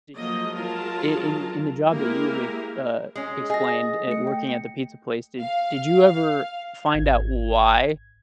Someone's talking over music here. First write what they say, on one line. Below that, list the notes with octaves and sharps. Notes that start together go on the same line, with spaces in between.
did you in in in the job that you've ex uh, explained at working at the pizza place, did did you ever find out why
F3 F#3 A#3 D#5
F#3 G#3 F4 G#4 A#4 A5
G#3 A#3 E4 G4 A#4
G#3 C#4
G#4 D#5 A#6
A3 C#7
G5
F5
G#1 G#6